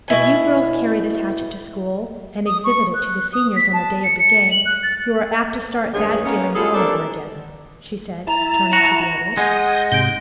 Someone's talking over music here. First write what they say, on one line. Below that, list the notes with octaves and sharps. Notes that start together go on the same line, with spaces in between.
"If you girls carry this hatchet to school and exhibit it to the seniors on the day of the game you are apt to start bad feeling all over again," she said, turning to the others.
B2 E4 G#5
D#6
C#6
F#6
D#6
B6
A5
C#7
C#7
F#7
F#6
A6
D2 G2 D#3 G#3 G#4 C#5
A#3 B3 C#4
G3 E4 F4 G#4 A4
A3 A#3 C4 D4 G4 A4
E4 A5 A#5
F#4 A#6
G#3 F#5 G#5 D#6 G6
G#2 C3 G6 D7 G7